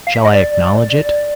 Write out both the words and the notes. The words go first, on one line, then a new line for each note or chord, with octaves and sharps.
Shall I acknowledge it?
F5
E5
D#5
D5